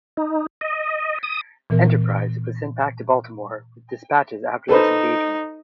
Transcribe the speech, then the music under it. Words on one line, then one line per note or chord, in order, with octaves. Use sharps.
"Enterprise" was sent back to Baltimore with dispatches after this engagement.
D#4
D#5
D#6
A#2 E3 B3 A#4
D#4 A4 B4 C5